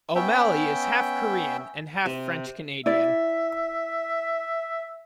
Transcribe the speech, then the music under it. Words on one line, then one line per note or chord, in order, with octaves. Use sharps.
O'Malley is half Korean and half French-Canadian.
B3 C#4 E5 G5
C3
E4 D5 E5